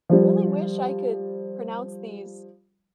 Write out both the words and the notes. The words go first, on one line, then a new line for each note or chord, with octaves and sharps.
"Really wish I could pronounce these
F3 G3